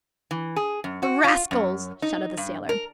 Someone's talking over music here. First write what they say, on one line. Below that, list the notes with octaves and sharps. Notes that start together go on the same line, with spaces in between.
"The rascals!" shouted the sailor.
E3
G#4
F#2
F#4
F4
F#2
D#4
G2
A#4